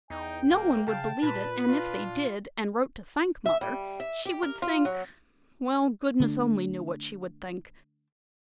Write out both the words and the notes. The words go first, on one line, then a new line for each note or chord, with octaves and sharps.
No one would believe it; and if they did, and wrote to thank mother, she would think--well, goodness only knew what she would think.
E2 D#4 G5
D#1 A#3
C#3 F5 A5
A#2 B4 B5
D4 F4
E5
G3
E5
G4
A#4
F4
F#3
D3 A3 D4